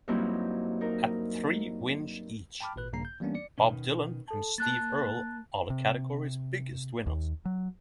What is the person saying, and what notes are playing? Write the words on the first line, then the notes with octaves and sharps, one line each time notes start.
At three wins each, Bob Dylan and Steve Earle are the category's biggest winners.
G2 F#3 A#3 C4 D#4 E4
D#4 A#4
G5 A5 B5 D6 F6
G#1 A#2 B4 F#6
A#1 G2 C#3 A#3 A#5 C7
G6
E3 G3 A#3 B3 C#4 D4
D5 C#7
B2 D#3 C#4
A4 A5
A#3 A5 F#6 A6
C3
D#2
F#3